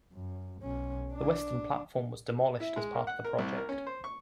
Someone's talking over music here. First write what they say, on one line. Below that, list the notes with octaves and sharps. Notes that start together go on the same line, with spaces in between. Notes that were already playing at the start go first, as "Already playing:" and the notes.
The western platform was demolished as part of the project.
F#2
B1 C#4
D4
E4
G#3
A#4
F#5
A#4
C2
A#4
C#4
C5
C#6